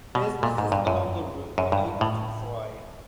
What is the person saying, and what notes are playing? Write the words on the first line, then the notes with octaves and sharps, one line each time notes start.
Businesses along the route were able to thrive.
B2
A#2
G#2
G2
F#2
F#2
G2
A2